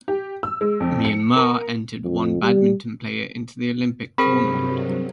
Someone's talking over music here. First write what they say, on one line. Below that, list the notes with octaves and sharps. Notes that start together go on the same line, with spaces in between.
Myanmar entered one badminton player into the Olympic tournament.
G4
E6
G#3
F2
C#7
A#4
F2
G3
G2 C3 F#3 C4 G#4 A#4 C5 B5